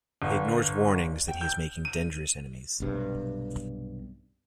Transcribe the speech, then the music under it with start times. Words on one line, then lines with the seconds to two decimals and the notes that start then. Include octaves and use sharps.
He ignores warnings that he is making dangerous enemies.
0.22 G1
1.28 G5
1.41 G6
1.85 D#7
2.80 B1 G2 C3